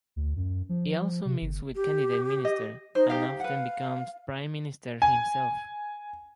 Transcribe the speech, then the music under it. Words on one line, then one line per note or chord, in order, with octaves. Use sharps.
He also meets with candidate ministers and often becomes Prime Minister himself.
D2
F#2
F3
C3
G1
G4
D#5
D#4 C5
G4 F5
B4 F5 F#5
G#5